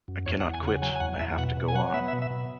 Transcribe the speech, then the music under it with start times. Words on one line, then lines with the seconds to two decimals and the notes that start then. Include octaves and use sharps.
I cannot quit, I have to go on.
0.08 F#2
0.26 E2 C#5
0.40 F#5
0.45 E2
0.54 G#5
0.63 C#3 F#5
0.82 F#3 G#5
0.95 G#5
1.00 E2 F#5
1.19 E2 E5
1.38 B2 F#5
1.57 B2
1.68 G#5
1.75 F#3 F#5
1.94 B3 E5
2.08 E5
2.13 B2
2.22 E5
2.30 B2